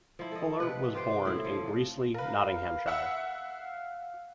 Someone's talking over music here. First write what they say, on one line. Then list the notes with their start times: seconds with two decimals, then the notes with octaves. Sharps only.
Fuller was born in Greasley, Nottinghamshire.
0.19 F3 E4
0.32 A4 D#5
0.60 C3 B4
0.94 F4 G4 C5 G5
1.25 A2 E4
1.45 F3
2.14 A#4 B4 F5
2.86 E5 F#5 E6